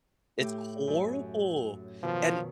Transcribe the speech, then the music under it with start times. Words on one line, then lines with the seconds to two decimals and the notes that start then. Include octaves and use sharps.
It's horrible. And
0.39 A2 G4
0.87 F#2
2.03 B2 D#3 F3